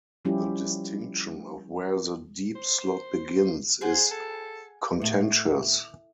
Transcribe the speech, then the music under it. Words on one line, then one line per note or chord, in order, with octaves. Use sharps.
The distinction of where the deep slot begins is contentious.
F3 G3 C#4 E4 F4 G4
C5
G#4 C5 F#5
A4
A2